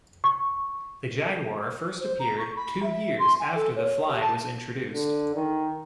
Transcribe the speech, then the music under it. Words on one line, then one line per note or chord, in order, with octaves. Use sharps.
"The Jaguer" first appeared two years after "The Fly" was introduced.
C#6
C5
A#5
C#6
B5
E5
C6
G#5
A4
C#5
G4
A5
D3
D#3